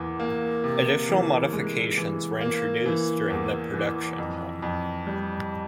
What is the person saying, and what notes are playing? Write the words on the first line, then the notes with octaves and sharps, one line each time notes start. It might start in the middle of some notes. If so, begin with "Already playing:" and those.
Additional modifications were introduced during the production run.
Already playing: E2 E3 A#3
A#3
C3
E3
G#3
E3
A#3
E3
E2
E3
F2
F2
G3